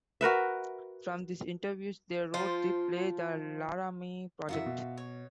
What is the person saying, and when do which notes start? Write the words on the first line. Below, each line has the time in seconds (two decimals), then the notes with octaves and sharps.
From these interviews they wrote the play "The Laramie Project".
0.21 F#4 A#4 B4 E5
2.34 F3 F4 C5
4.49 F#2 E3 F4 F#4 E5
4.66 B2
4.97 C#5